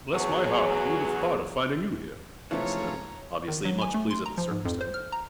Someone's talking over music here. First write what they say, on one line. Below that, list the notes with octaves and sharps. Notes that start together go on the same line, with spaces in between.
"Bless my heart, who would have thought of finding you here," he said, obviously much pleased at the circumstance.
E2 F#3 F#4 G#4
G#2 C3 E3 F3 A3 C#4 C#5 A#5
D#3
F#3
G#5
A3
C6
A#5
F3
G#2
F2
C5
F6
A#5